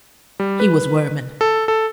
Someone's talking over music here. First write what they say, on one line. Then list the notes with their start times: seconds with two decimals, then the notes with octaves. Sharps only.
He was wermin!
0.40 G3
0.60 B4
1.41 A4
1.68 A4